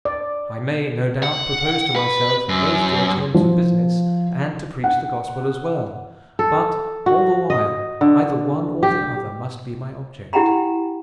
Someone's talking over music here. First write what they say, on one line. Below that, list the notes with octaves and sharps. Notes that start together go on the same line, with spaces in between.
I may, no doubt, propose to myself both to attend to business and to preach the gospel as well; but, all the while, either one or the other must be my object.
D5
F#5
B4
F#2
F3
F#5
A4
F#4
D#5
D3
G4
E4 G4 F#5 G5 A#5 B5